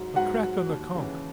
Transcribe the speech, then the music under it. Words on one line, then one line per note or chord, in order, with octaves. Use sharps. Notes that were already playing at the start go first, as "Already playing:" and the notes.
A crack on the conk.
Already playing: G#2 F#3
G#2 F#4 F#5
F#3
D#2
C#3 E3